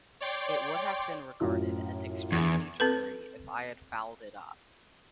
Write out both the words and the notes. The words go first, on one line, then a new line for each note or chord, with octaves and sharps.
It would have been regarded as extremely dreary if I had fouled it up.
C#5 D5 G5 C6 D6
F#2 A2 F4
E2
C4 A4 B4